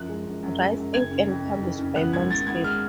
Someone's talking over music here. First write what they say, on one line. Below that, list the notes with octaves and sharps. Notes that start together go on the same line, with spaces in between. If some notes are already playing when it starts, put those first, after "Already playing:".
Rice Inc and published by Mindscape.
Already playing: F#2 F3 F#6
G#3
F#2
F#2
G#3
F#2
F#1 G#6
C#3
F2
F2
C#3
C#3
B3 F#6
G#1 G#6
G#1 A6
B3 G#6
G#3 F6